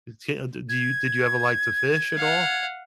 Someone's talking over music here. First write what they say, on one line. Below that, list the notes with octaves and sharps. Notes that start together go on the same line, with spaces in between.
it's can d do you did you ever like to fish at all?
G#6
F5 F#5